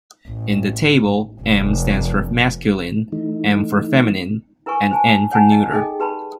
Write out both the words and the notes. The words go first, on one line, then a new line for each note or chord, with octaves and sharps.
In the table, "m." stands for masculine, "f." for feminine, and "n." for neuter.
A1
F1
E3 A3 D#4
E4 A#4 B4 G#5 C#6
C5 G#5 A5
C#5 F#5 G#5 A5
D#5
D#4 G#4 A4 D#5 G5
G4 B4 A5 B5